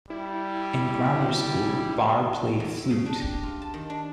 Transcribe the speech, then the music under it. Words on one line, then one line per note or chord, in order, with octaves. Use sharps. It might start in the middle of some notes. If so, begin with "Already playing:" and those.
In grammar school Barre played flute.
G3 E4
E2
E4
C#3
D4
G4
F4
A5
D#3
D4